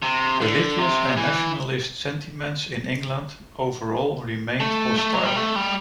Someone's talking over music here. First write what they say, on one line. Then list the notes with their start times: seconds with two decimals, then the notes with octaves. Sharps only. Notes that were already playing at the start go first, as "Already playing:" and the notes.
Religious and nationalist sentiments in England overall remained hostile.
0.02 C3
0.41 D3
0.79 C3
1.17 E3
4.60 A3
4.98 A3
5.14 F#3
5.25 G3
5.36 A3
5.56 G3